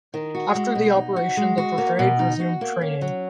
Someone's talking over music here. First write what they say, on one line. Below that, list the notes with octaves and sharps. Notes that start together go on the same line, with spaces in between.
After the operation the brigade resumed training.
D#3
F#4
G#3
B2
D#4
F#4
G#3
F#4
A#3
B2
D#4
F#4
A#3
C#4
F#3